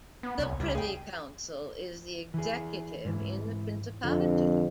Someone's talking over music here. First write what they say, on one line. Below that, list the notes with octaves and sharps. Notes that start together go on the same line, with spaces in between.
The Privy Council is the executive in the principality.
B3
C2 C#5
C#2 G3
G#4 G5
E3 G#4
G#2 E3
F2 D3 C4